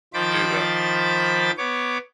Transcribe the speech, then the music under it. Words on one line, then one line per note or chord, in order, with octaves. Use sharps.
to do that.
D#3 F3 C5 B5 D6 A6
B3 C#5 D6